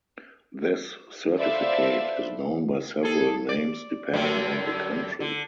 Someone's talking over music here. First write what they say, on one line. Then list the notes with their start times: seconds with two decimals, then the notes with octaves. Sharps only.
This certificate is known by several names depending on the country.
1.38 A4 B4 C5 D5 E5 F5
3.03 G#4 A4
3.49 D5
4.13 F#2 D3 G3
5.20 D3